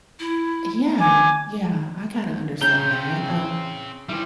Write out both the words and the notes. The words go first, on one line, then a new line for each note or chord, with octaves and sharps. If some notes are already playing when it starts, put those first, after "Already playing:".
Yeah. Yeah. I kinda understand that. Um,
E4
G#5 D6
C#3 C4 A#5 G6
E3 G3 C4 E4